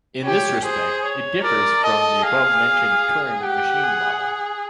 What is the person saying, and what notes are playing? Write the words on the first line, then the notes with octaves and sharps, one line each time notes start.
In this respect, it differs from the above-mentioned Turing machine model.
G4 C#5
G#4 C5
C#5
A#4 D5
A4 D#5
G#4 F5
G4 F#5
G#4